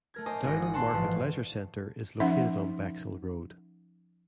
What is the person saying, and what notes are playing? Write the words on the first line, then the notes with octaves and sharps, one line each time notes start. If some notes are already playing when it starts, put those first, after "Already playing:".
Downham Market Leisure Centre is located on Bexwell Road.
A3 A#4 G#6
C5 D#5 G#5 A#5 D6 D#6
G#1 F#4 A#6
D#6
D5 F#5 A5 C6 C#6 C7
A1 G#2 C3 E3 F3
F3 C#4 D#4 E5 F#5